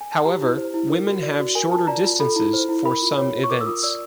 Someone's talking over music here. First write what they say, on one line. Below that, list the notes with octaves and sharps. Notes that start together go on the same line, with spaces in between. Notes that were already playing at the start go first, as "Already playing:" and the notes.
However, women have shorter distances for some events.
G#5
A5
G4 A#5
E4
C5
E4
A#4
F#4
D5
F#4
A#4 G#5
F4 A5
D5 A#5
F4
A4 B5
E4
C5
E4
A#4 B5
F4
C#5
F4
C#6
A#4 D6
E6
F4 D#6
D5 E6